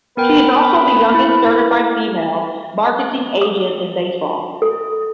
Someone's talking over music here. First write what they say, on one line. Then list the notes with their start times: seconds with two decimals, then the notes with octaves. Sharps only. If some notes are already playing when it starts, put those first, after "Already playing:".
She is also the youngest certified female marketing agent in baseball.
0.17 B3 A#4 B4 G5
1.14 E4
2.99 D6
3.41 D6
4.62 A4